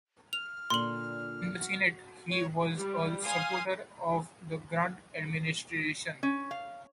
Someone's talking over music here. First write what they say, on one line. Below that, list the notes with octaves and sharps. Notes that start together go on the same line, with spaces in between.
In the Senate he was a supporter of the Grant Administration.
F6 F7
A#2 D3 C6 F#7
F#4
C#5
G3
F5 G#5 C6 D#6
C#4
F5